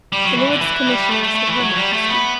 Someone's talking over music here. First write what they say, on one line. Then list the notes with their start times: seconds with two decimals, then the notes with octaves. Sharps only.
"The Lords Commissioners of her Majesty."
0.12 G3
0.25 F#3
0.37 E3
0.50 D3
0.61 E3
0.87 G3
1.10 A3
1.23 A3
1.35 A3
1.47 E3
1.60 F#3
1.76 G3
1.93 A3
2.09 B3